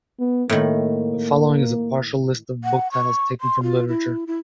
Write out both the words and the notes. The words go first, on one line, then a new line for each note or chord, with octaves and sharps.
The following is a partial list of book titles taken from literature.
B3
A2 D#3 A#3
F#5
C#6
C6
F4
E4
E4